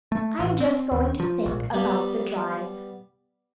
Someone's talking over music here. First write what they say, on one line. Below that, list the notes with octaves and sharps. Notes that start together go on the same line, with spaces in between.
I'm just going to think about the drive.
A3
A1
C4
D#2
F3
A#1
G3 B3 G4